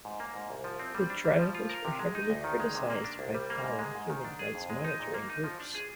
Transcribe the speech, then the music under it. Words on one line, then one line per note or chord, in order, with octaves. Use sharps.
The trials were heavily criticised by foreign human rights monitoring groups.
G#2
A#3
G#2
C2
F3
C4
G3
D4
G3
F3
F4
A#4
C3
G#3
D#4
D2
D#3
G#3
C3
A#3
D4
C2
G3
A#3
G#2
G#3
G#2
D#3
D4
G#4
F2
G#3
D#4
A#2
A#3
D#4
F3
D4
G#4